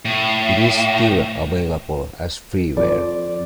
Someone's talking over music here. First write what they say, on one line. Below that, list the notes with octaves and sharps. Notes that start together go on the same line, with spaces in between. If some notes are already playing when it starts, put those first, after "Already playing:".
It is still available as freeware.
A2
F2 D5